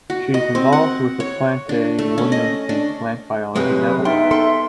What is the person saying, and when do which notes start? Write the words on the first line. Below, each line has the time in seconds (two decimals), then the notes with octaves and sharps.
She is involved with the Plantae Women in Plant Biology network.
0.10 F#4
0.34 D#5
0.55 C4
0.72 F#5
1.20 C#5
1.69 D4
1.99 A3
2.18 C#4
2.32 D#5
2.69 D4
3.56 F#2 C3 G#3 B4
4.05 B3 D#4 E5 G5 C6
4.31 A4 C6